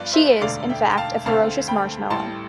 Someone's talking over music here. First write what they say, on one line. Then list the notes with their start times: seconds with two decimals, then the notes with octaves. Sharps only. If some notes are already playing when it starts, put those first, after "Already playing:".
She is, in fact, a ferocious marshmallow.
Already playing: G2 F3 B3 F4 B4 D5
0.13 C5 E5
0.41 E1 D2 D3 A3 D5 F5
0.69 E5 G5
0.91 G5
0.98 F5 A5
1.26 D2 D3 A3 C4 F5 A5
1.68 G5 B5
2.10 A1 A2 G3 A5 C6